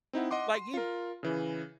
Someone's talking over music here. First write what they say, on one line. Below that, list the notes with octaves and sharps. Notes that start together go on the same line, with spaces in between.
Like, he
C4 D#4 E4 F#5
D#5 F#5 C6 D6
C6
F4 A#4
C#3 E3